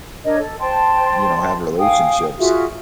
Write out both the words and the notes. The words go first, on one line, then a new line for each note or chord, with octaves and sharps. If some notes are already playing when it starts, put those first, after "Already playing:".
you know, have relationships.
D4 A#4 C#5 D#5
A4
C5 G5 A5 C6
F5 G5 G#5 D#6
F4 F#4 G#4 E5